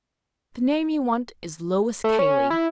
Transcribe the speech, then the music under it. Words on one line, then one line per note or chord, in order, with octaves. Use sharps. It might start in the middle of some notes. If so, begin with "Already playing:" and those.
'The name you want is--Lois Cayley!'
A3
C#4
E4